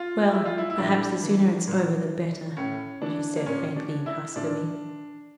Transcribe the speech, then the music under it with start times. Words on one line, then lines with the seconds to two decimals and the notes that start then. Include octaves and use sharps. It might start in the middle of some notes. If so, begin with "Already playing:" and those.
"Well, perhaps the sooner it's over the better," she said faintly and huskily.
Already playing: F4
0.33 E4
0.45 F4
0.58 E4
0.70 E4
0.78 A2 D4
1.23 E3
1.67 A#2
2.57 A2 C#4
3.02 E3 D4
3.36 A#3
3.46 A#2 C#4
3.76 D4
4.06 E4
4.36 A#2 D4